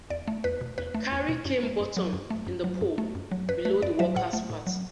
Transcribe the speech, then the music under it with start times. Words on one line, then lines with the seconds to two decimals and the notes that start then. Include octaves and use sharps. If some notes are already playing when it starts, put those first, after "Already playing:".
Carey came bottom in the poll, below the Workers' Party.
0.10 E2 D5
0.27 A3
0.44 E2 B4
0.61 B2
0.78 E2 B4
0.94 A3
1.12 E2
1.28 B2
1.45 F#2
1.63 A3
1.80 F#2
1.97 F#3
2.13 F#2
2.30 A3
2.47 F#2
2.64 F#3
2.81 F#2
2.98 A3
3.15 F#2
3.31 F#3
3.49 F#2 B4
3.65 A3 B4
3.82 F#2 D5
3.99 F#3 E5
4.16 A2 F#5
4.33 A3
4.50 A2
4.67 F#3